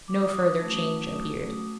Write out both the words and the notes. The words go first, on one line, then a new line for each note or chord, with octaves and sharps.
No further change appeared.
D6
F#3 D#6
A3 C#4 F#4
F#3
A3 C#4 F#4